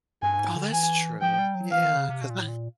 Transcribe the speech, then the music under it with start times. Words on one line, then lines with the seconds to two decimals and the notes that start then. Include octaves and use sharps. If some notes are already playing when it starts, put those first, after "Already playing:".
Oh, that's true. Yeah, cause I
0.23 G2 G#5
0.39 G#2
0.56 D3
0.72 E3 G#5
1.22 F3 G5
1.39 G3
1.55 F#3
1.71 E3 F5
1.84 D#3
1.97 C#3
2.09 C3
2.21 B2
2.30 A#2
2.39 A2
2.48 A#2